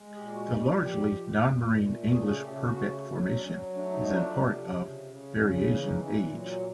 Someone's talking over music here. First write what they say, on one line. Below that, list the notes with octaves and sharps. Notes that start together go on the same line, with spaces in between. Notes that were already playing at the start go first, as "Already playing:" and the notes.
The largely non-marine English Purbeck Formation is in part of Berriasian age.
Already playing: G#3
G#4
A#2 G4
F#4
A#2 G4
F3 G4
A#2
A#2
A3
C#3 G#4
G#4
C#3 G4
F#4
A3
F#3
D4
F#3 C#4
A3 D4
D#4
D#4
F3 D4
C3
C#3
C#3
C#3 C#4
D4
E3 D4
D#4
A#2 D#4
D4
F#3 A3
A#3